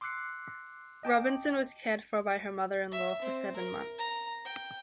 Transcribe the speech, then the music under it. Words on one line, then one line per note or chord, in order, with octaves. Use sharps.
Robinson was cared for by her mother-in-law for seven months.
C6 D6 E6 F#6 C7 C#7
D#5 G5 A5 D6
E5
C4
A#4
A#5
G5